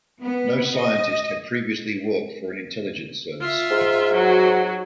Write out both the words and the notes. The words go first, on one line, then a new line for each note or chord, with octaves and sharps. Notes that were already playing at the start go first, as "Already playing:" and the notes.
No scientist had previously worked for an intelligence service.
B3
D#5
F4 E5
G#2
F#3 F#4